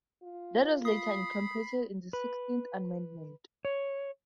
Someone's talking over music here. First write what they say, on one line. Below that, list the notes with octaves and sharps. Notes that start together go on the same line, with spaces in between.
That was later incorporated into the Sixteenth Amendment.
F4
B5 D#6 C7
B4
C#5